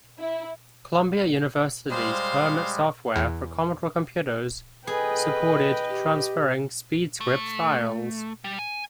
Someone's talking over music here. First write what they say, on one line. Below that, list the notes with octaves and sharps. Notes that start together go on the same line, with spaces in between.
Columbia University's Kermit software for Commodore computers supported transferring SpeedScript files.
E4
G3 G#3 C5 F5
E2
G#4 A4 B4 D#5 G5
G4
A3
G3
G#5